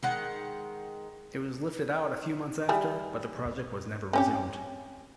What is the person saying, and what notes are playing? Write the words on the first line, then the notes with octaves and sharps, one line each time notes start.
It was lifted out a few months after, but the project was never resumed.
D#3 G#3 F#5
G3 E4 G#4
C4 C#4 G4